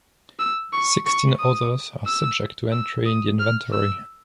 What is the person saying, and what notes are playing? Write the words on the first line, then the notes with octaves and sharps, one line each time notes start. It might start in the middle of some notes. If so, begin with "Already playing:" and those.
Sixteen others are subject to entry in the inventory.
E6
C#6
C#6
D#6
E6
E6
D#6
F6
E6